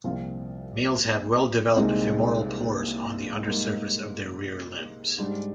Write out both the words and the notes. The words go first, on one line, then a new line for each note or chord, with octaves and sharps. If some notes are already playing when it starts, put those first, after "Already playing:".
Males have well-developed femoral pores on the undersurface of their rear limbs.
C2 A#2 F3 C4 F4
C2 A#2 G#3 C4 D#4
G#2 G3 A#3 D#4
G#2 G3 D4